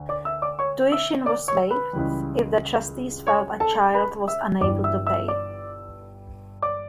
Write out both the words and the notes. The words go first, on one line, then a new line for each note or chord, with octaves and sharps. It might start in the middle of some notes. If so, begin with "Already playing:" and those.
Tuition was waived if the trustees felt a child was unable to pay.
Already playing: D2 D3
D5 D6
E5 E6
D5 D6
C#5 C#6
E5 E6
D5 D6
C#5 C#6
B4 B5
C#2 C#3 E3 G3
C#5 C#6
A4 A5
B4 B5
E5 E6
G1 G2 E3 G3 D5 D6
E5 E6
E5 E6
D5 D6
D5 D6